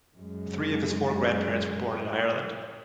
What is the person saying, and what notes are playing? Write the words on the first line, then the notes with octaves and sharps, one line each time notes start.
Three of his four grandparents were born in Ireland.
F#2 G#3